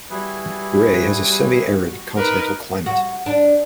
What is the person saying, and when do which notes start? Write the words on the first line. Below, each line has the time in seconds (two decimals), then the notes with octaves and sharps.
Wray has a semi-arid continental climate.
0.10 G3 E4 F#4 G#4 B4
2.16 D#4 A#4 B4
2.86 F#4
3.26 D4